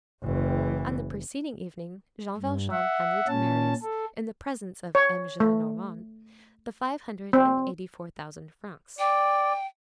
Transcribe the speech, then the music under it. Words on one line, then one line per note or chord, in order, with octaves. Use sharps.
On the preceding evening, Jean Valjean handed to Marius, in the presence of M. Gillenormand, the five hundred and eighty-four thousand francs.
F#1 E3
G2
E5 F#5
A#2 C#4 A5
A4
C#5
A3
C4
D5 G5